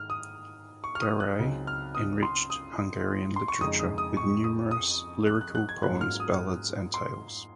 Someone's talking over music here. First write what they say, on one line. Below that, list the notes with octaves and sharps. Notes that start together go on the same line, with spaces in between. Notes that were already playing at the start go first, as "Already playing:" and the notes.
Garay enriched Hungarian literature with numerous lyrical poems, ballads and tales.
Already playing: G#2 D#3 F6
D#6
C#6
F6
D#6
F#6
C#2 C#3 F#3 C4 D#4
F6
D#6
C6
D#6
C6
C#6
F2 C#3 G#3 D#4 D#6
D#6
D#6
C#6
D#6
D#6
F#6
F#6
F#6
G#6
G#2 F#3 A#3 C#4 F4 F#6
F6
D#6
C6